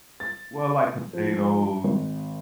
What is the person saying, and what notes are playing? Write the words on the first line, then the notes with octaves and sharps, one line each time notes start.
well, like potatoes,
A6
F3
G#1